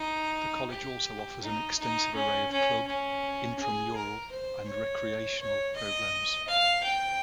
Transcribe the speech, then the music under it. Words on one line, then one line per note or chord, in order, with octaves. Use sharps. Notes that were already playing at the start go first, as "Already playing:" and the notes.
The college also offers an extensive array of club, intramural, and recreational programs.
Already playing: D#4
G4
D#4
D#4
C#4
C#4
C#4
G#4
A#4
C5
C#5
C#5
D#5
F5
G5